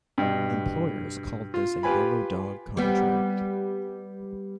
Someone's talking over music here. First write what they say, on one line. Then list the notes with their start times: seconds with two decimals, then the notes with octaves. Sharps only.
Employers called this a yellow-dog contract.
0.18 G2 B2
1.54 F4
1.83 F4 G4 B4 G#5 B5
2.77 G3 B3